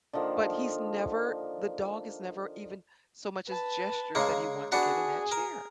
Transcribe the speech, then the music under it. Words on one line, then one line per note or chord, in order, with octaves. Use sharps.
But he's never the dog has never even so much as gestured that he want to get in that chair.
D3 D#3 F3 A#3
B4 A5
C#3 G#3 A#3
B3 D4 F#4 G#4
A#4